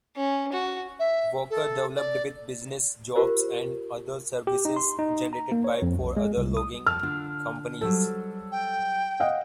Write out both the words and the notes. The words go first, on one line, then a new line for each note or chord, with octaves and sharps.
Walker developed with business, jobs and other services generated by four other logging companies.
C#4
F#4
E5
A4
D5
F4 G4 A#4 C5
G4
D#4
C6
D#4
A#5
A#3
C#5
F2
B1
G#3
C2
D#6
F2 F3 A5 F6
D3 D4 F4
F#3 G3 A4 C5
G5
D#5 F5 F#5